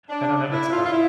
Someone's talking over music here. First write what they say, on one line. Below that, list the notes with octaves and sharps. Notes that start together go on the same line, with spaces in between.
I don't know. It's tough.
D4
E4
F4
F4
E4